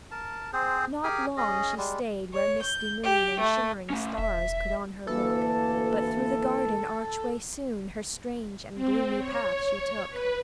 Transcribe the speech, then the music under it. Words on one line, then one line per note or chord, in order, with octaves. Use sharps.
Not long she stayed where misty moon And shimmering stars could on her look, But through the garden archway soon Her strange and gloomy path she took.
A#4 A5
C4 G#4 C5
G4 G#4 A#4 G#5
C#4 G#4 D#5
G3 G#3
C#5
G6
G4
A3
A3 C#4
E1 E5
D2 E3 A#3 A4
C4
C#5
B4